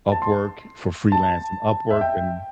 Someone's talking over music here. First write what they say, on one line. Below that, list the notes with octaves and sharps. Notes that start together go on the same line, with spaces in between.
Upwork for freelancing Upwork and
A5
C6
A5
E5
G5